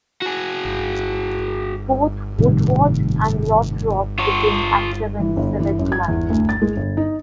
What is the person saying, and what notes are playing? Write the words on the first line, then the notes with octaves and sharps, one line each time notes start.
Both Woodward and Lothrop became active in civic life.
F#4 G#4
A2 C3 D#3 G3
F4 C#5
E3
G1
E3
F#2
G#6
E2
D2
A6
G#3
G1
D#4